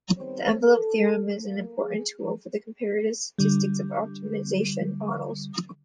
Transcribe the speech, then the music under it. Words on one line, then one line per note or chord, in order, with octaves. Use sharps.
The envelope theorem is an important tool for comparative statics of optimization models.
D#3 G3 B3 C4 C5 C#5
A4
A#3
G#4
D3 G3